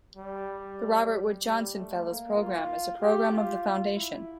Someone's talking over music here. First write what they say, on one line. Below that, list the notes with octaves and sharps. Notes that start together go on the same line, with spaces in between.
The Robert Wood Johnson Fellows program is a program of the foundation.
G3
G3
A3
A#3
F4
G4
F4
E4